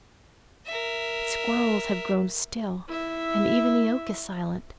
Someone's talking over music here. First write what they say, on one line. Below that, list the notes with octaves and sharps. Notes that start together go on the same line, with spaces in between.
The squirrels have grown still, and even the oak is silent.
A#4 E5
E4 E5